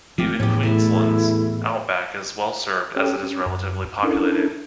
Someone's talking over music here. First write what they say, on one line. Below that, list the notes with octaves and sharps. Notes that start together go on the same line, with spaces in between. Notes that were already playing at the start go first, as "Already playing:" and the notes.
Even Queensland's outback is well served as it is relatively populated.
G#1 F3 A3 F4 G4
E2 A2 C#4 G4
A3 E4
C#4 G4 A4 C#5 G5
C#4
F#2
C#4 D4 E4 A4 A#4